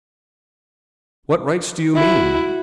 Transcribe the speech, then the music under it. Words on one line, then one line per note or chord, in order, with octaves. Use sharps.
"What rights do you mean?"
E4 F#4